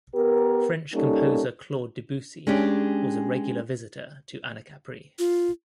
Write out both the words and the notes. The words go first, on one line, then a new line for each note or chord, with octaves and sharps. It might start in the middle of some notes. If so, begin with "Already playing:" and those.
French composer Claude Debussy was a regular visitor to Anacapri.
B3 G4 A#4
G3 A#3 C#4 D#4 A4
G#3 C#4 D4 G4
F4